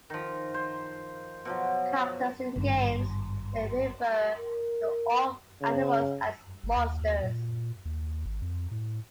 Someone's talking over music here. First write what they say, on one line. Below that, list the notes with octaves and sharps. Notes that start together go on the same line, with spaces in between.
Characters in games may refer to all animals as "monsters".
D#3 F3
C5
B2 F3 F#3
G#1 G2
A#4
C#3
G1
D#2
A#2
D#2
G#1
F2
A2